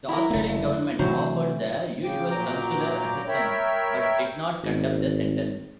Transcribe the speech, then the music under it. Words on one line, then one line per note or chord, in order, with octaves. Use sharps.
The Australian government offered the usual consular assistance, but did not condemn the sentence.
E4 A#4
F#1 A3
C3 E3 F#3 A3 C5
C#3 G5 D6
A#2 F#3 A#5 D6 G6
A#4 C#5 E5 G5 B5
G#1